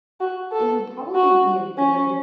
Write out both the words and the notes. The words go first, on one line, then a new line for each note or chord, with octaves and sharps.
it would probably be a good
F#4
A4
F#4
C#4